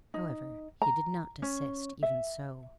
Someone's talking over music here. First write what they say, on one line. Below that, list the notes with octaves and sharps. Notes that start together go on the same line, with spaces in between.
However, he did not desist even so.
D#4
A#5
C#4
E5